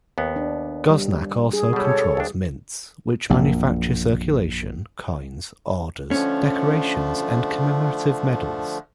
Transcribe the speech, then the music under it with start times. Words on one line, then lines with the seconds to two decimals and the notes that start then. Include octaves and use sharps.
Goznak also controls mints, which manufacture circulation coins, orders, decorations, and commemorative medals.
0.18 D#2 B3
0.36 D4
0.90 G3
1.53 G#4
1.73 B2 G3 A4 C#5
2.17 D#2 D4
3.30 A#1 F#2 A#2
6.11 D3 F3 A3 C#4